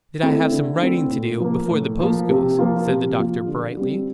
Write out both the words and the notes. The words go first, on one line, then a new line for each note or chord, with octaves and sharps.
"That I have some writing to do--before the post goes," said the doctor brightly.
A3 C4 E4
D3
A3 C4 E4
A2
F3 A#3
A2
F3 A#3
C3
F3 A#3 F4
C3
F3 A#3 F4
D3
G3 C4